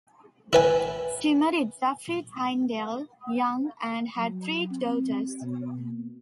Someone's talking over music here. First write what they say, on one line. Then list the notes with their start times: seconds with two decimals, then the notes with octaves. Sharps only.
She married Geoffrey Tyndale Young, and had three daughters.
0.53 E4 B4 G#5
4.17 F#3
4.71 C4
5.42 B2
5.79 A#3